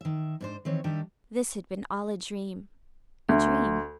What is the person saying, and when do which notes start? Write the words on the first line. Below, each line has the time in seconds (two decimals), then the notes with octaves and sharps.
This had been all a dream--a dream.
0.01 D#3 E5
0.41 G#2 D4 C5
0.65 D#3 E3 C4 C#5
0.84 D#3 G3 D4 G4 E5
3.29 D2